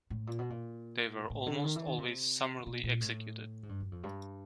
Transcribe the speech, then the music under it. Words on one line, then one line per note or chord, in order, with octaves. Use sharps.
They were almost always summarily executed.
A2
A#2
B2
A#2
A2
D3
D#3
E3
D#3
C3
B2
A#2
A2
G#2
G2
F#2
F2
G2